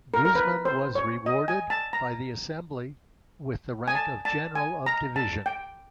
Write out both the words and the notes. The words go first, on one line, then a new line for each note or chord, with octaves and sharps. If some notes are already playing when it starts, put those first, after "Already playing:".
Guzman was rewarded by the Assembly with the rank of general of division.
A#4
A#4
B4
C5
C#5
D#5
G#5
A5
A#5
G#5
A5
A5
G#5
A#5
A5
G5